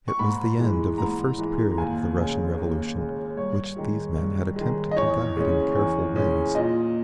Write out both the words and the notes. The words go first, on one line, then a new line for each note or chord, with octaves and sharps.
It was the end of the first period of the Russian revolution, which these men had attempted to guide in careful ways....
C#6
G#2 B5
E3 G#3
G#2 A#5
E3 G#3
A#5
D#2 G#5
C#3 G#3
D#2
C#3 G#3
G2 C#5
D#3 G#3
G2
D#3 G#3
D#5
E2 C#5
C#3 G#3 C#4
E2
C#3 G#3 C#4
A#2 D#5